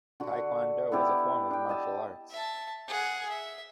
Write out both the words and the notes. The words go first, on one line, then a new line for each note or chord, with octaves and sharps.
Taekwondo is a form of martial arts.
D3 F#4
B3 D4 E4 G4
D4 G5
D#5 A5
E5 A5
G#4 F#5
E5